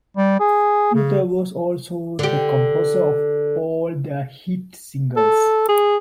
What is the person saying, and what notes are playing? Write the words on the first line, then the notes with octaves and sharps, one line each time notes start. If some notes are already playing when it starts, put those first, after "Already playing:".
Luther was also the composer of all their hit singles.
G3
G#4
C#3
D3 G4
A4
G#4